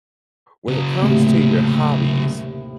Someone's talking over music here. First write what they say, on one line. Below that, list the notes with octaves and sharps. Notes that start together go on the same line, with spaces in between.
when it comes to your hobbies,
C#3 F#3
D#2 A2 C3